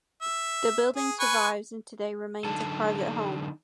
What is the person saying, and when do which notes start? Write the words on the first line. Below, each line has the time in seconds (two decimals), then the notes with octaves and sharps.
The building survives and today remains a private home.
0.22 E5
0.96 G#4
1.20 B4 G#5 C#6
2.45 D3 F#3 D#4 A4 A5